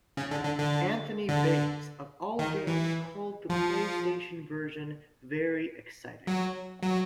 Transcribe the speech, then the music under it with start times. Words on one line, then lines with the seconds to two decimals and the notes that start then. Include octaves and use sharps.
Anthony Baize of AllGame called the PlayStation version very exciting.
0.17 C#3
0.31 D3
0.45 D3
0.59 D3
1.29 D3
2.39 D#3
2.67 E3
3.50 F3
6.27 F#3
6.83 F#3